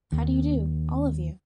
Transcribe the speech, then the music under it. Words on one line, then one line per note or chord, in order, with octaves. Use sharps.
How do you do, all of you?
D#2